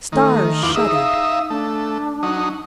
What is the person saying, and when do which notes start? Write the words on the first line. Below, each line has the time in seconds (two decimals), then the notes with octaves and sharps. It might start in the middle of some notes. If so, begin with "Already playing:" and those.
Stars shuddered.
0.12 D#3 A3
0.63 E2 E3 F3 D6
0.76 D#4 G#4 E5
0.94 F5
1.50 A3 D4
2.23 F#3 D#4